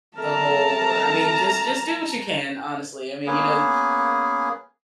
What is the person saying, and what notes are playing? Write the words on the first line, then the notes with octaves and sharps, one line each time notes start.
the whole I mean, just just do what you can, honestly. I mean, you know the
A3 C4 A#4 A5 A#5
A#3 B3 C#4 G#4